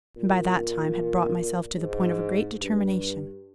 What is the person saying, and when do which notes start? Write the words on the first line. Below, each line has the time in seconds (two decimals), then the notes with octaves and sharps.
And by that time had brought myself to the point of a great determination.
0.16 A#2
1.78 G#2
2.60 G2